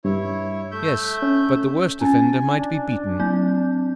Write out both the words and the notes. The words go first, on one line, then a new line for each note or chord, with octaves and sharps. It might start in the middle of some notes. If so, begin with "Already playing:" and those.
"Yes; but the worst offender might be beaten."
G2 E4 C#5
A3 E5 G6
C#4
C#4 G#5 A6
D4
F#3 C4 G6